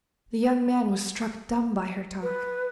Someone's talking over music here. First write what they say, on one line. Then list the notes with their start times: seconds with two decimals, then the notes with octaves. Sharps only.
The young man was struck dumb by her talk.
2.22 B4